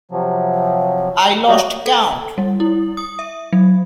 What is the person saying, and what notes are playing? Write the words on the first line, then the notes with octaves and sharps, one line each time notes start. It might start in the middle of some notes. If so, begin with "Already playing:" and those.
I lost count.
C3 F3 F#3
F#3 G3 F#4 G4 D5 D#5
A4
G3
E4
D#6
E5
F#3